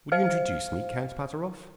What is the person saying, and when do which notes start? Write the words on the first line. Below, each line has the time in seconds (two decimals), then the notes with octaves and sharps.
"Will you introduce me, Count Pateroff?"
0.12 C5 F5 F6